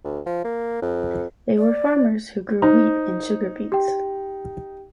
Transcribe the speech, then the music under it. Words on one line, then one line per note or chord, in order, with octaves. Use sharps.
They were farmers who grew wheat and sugar beets.
D2
F3
A#3
F2
D5
D#4 C5
G4 G5